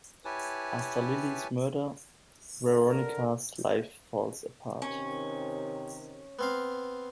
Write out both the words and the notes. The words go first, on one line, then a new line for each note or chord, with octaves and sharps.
After Lilly's murder, Veronica's life falls apart.
E4 G4 B4 C#5 G#5 A5
D3
A#4
C3 D#3 C#4
B3 C4 F5